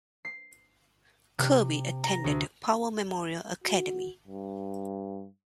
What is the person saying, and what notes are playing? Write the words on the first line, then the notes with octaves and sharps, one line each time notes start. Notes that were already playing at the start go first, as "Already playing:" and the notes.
Kirby attended Power Memorial Academy.
C7
C3
A#5
D2
F#4
G2